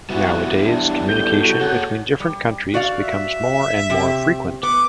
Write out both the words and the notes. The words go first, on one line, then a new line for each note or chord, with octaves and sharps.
Nowadays, communication between different countries becomes more and more frequent.
G3 B3 E4 F#4
D4
A4 G6
F#4
G#4 C#5 F#5
G3
F#4 D5 F5
E5
C3 G4
B3 D6